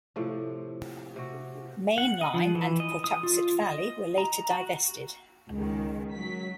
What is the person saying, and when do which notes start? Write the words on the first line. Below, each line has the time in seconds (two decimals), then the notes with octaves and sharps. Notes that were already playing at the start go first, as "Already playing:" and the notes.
Maine Line and Pawtuxet Valley were later divested.
0.16 A2 C3 F3
1.16 C3 F#4
1.98 F#5
2.21 D#5
2.34 F3
2.55 E3
2.80 D#5
3.04 D#6
3.23 F4
3.62 D#5
4.18 A#5
4.51 F#4
5.50 C#2 D#3
6.13 F#3 B6